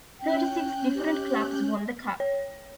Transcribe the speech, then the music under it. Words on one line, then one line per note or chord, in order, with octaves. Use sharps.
Thirty-six different clubs won the cup.
C#4 G5 F#6 G6
G4
C#5